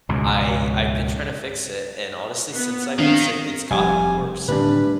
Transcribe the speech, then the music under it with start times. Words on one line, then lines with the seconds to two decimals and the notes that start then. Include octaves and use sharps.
I I've been trying to fix it. And, honestly, since I've been sick, it's gotten worse.
0.09 C#2 G#2 B2
2.53 B3
2.99 D#3 C4 D4 F5
3.71 F1 G3 G#5
4.48 A2 D3 D#3 G3 D4 B4